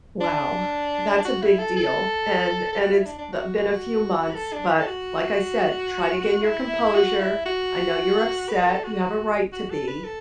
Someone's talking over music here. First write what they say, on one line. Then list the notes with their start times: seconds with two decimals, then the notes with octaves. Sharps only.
Wow, that's a big deal, and and it's the been a few months, but like I said, try to gain your composure. I know you're upset, you have a right to be.
0.21 D4
1.25 F#4
1.42 E4
1.59 A4
1.76 A4
2.73 A4
2.80 F#4
2.93 E4
3.06 D4
3.18 D4
3.32 F#4
4.31 B4
4.35 A4
4.53 D4
4.69 E4
4.80 A4
4.87 F#4
6.42 E4
6.95 F#4
7.20 E4
7.45 F#4
8.49 B4
8.62 B4
8.66 A4
8.84 F#4
9.53 F#4
9.71 A4
9.88 B4
10.04 A4